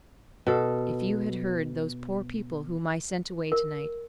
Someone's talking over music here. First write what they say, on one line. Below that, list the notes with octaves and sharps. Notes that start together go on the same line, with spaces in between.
If you had heard those poor people whom I sent away tonight!
B2 A4
A#4